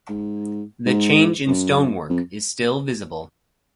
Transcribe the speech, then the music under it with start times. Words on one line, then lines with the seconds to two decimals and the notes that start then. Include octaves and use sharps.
The change in stonework is still visible.
0.09 G#2
0.86 G#2
1.48 F#2
2.10 F2